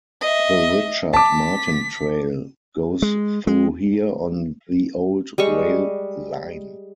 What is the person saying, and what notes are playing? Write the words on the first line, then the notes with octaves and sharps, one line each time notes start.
The Richard Martin Trail goes through here on the old rail line.
D#5 E5
A5 D6 B6
G#3
G#3
G3 G#3 C#6